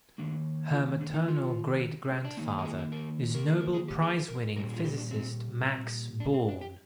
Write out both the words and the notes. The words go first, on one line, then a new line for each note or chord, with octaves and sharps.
Her maternal great-grandfather is Nobel prize-winning physicist Max Born.
D#3 A#3 D4
F4
D4
D#4
F4
C4
D4
D#3 A#3 D#4
A#4
G#4
A#4
A#4
A#4
G#4
A#4
G#4
G4
G#4
A#4
A#2 G3 A#3 A#4
G#4
F4
G4
D4
C4
C4
D4
C4
D4
G4